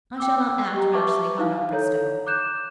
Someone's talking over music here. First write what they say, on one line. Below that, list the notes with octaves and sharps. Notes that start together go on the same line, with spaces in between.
I shall not act rashly, Comrade Bristow.
G5 D6 E6
G4 D#5 A#5
B4 E5 A5 C#6 D6
D#4 E4 F5
A4 C#5 A#5 G6
D6 F#6 G6 E7